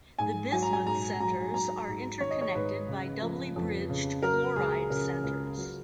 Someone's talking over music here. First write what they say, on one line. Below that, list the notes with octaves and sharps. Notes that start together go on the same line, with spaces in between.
The bismuth centers are interconnected by doubly bridged chloride centers.
G#2 G#5
F#3 G#5
A#5
G#5
G#2 A#5
F#3 A#5
F#3 A#5
G#2
D#3 C#5
D#5
C#5
G#2 B4
C#3
F3
F2
C#3
F#3 A#4
C#2 G#4
C#3 A#4
C#2
F#3